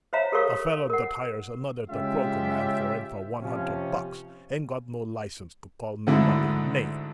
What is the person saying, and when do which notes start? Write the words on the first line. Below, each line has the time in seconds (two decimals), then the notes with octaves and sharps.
"A fellow that hires another to croak a man for him for one hundred bucks ain't got no license to call nobody names."
0.13 C5 C#5 E5 F5 A#5
0.32 G4 A4 A#4 C#5 F5 C#6
0.90 A#4 F#5
1.90 C#3 G#3 C#4 F4 G4 E5
3.42 C3 F3 C#4
6.07 D2 G#2 D3 E4